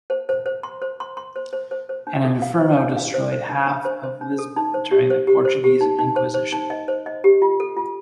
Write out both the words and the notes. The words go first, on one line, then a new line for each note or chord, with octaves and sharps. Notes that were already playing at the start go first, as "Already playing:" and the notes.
An inferno destroyed half of Lisbon during the Portuguese inquisition.
C5
C5
C5
C6
C5
C6
C6
C5
C5
C5
C5
D4
A4
F5
C5
D4
F5
C5
C5
D4
D4
C5
C5
D4
A4
D#4
C5
G4
C5
G4
C5
G4
D#4
D#4
C5
C5
D#4
D#5
C5
D#5
G4
F4
A4
F4